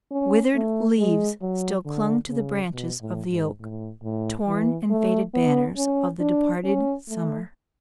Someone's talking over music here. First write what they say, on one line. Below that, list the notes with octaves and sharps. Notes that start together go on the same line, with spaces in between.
Withered leaves still clung to the branches of the oak: torn and faded banners of the departed summer.
C#4
A3
G#3
F#3
D3
C#3
B2
A2
G#2
A2
A2
E3
A3
B3
C#4
D4
C#4
A3